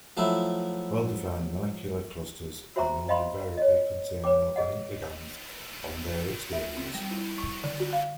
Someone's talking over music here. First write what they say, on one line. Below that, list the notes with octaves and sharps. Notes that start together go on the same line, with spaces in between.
Well-defined, molecular clusters are known, invariably containing organic ligands on their exteriors.
F3 F#3 A3 E4
F#4 C5 E5 G5 A#5 C#6
C5 D#5 F5 G5 B5 C6
C#5 D#5
B4 C#5 G5 D6
G#4 D#5 F#5
E5
C4
G3
E4
C#6
D3
F#4
F5